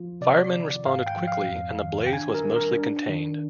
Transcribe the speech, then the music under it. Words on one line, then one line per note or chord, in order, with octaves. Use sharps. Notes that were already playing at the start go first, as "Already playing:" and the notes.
Fireman responded quickly and the blaze was mostly contained.
Already playing: F3 F4
C3 D5
D#3
G#2 F5
G5
F3
F5
F2
D#3
G5
D4 G#5
A#4
G3
A#4
D4
D#3